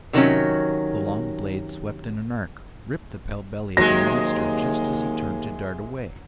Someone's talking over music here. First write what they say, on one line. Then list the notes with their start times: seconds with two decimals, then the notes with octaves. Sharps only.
The long blade swept in an arc, ripped the pale belly of the monster just as he turned to dart away.
0.13 C3 D#3 E3 F#3 C#4
3.77 D#2 C3 F#3 G#3 A#6